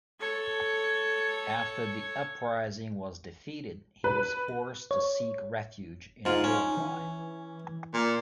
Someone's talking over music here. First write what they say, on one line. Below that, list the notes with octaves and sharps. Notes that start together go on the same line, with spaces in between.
After the uprising was defeated, he was forced to seek refuge in Uruguay.
A4 C#5
B4
C#5
G#2 D#4 F4
C#4
E3
A#2